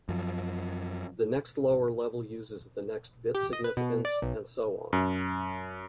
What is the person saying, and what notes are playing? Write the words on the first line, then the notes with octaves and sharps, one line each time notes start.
The next lower level uses the next bit significance, and so on.
F#2 F3
G4
D#5
B4
B2
D5
B1
F#2